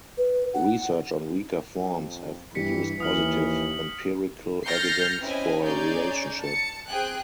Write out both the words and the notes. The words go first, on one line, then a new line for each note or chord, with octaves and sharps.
Research on weaker forms have produced positive empirical evidence for a relationship.
B4
F#5
F2
G2 E3 G3 B6 C#7
D#2 E3 D#6 F6 F#7
F6 G6 A6 A#6 C7 C#7
C4 C#4 E4 B4 D#5 G#5
C#4 D#4 G#4 C#5 D5 G6
A5 C#7
C4 G#4 G5 F#6